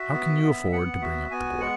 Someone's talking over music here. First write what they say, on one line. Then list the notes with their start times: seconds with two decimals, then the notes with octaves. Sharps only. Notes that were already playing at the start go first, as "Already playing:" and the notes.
How can you afford to bring up the boy?
Already playing: F#4 E5
0.13 B3
0.43 B3
0.72 B3 F#5
1.02 F#4 E5
1.31 B3 G#5
1.60 G#3 F#5